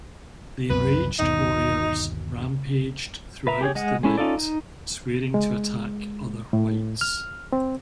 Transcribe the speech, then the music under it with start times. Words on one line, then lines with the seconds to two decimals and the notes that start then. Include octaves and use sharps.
The enraged warriors rampaged throughout the night, swearing to attack other whites.
0.70 C2 F#2 C4 B4
1.19 G1 D#2 B2 D#4
3.47 B4 E5 A#5
3.61 G4 G#4 B4 C#5
3.75 G#3 D#5 F#5
4.03 G#3 C#4 E4 A4
4.18 C#4 D#4 F4 A4 D5
4.38 D#4
5.34 G#3
6.53 A2
7.01 F6
7.53 C4